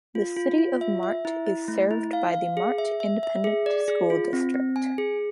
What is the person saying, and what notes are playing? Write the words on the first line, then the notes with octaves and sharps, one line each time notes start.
The City of Mart is served by the Mart Independent School District.
F4
F4
F4
E5
E5
E4
E4
A3
E4
F5
F5
G#4
E5
E5
E5
G#4
D5
G#4
F4
C4
C4
G#5
G#4